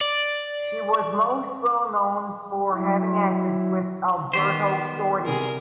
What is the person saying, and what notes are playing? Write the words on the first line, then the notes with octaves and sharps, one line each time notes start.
She was most well known for having acted with Alberto Sordi.
D5
F#3 E4
D#3 B3 G4 C5
C3 G#4 A#4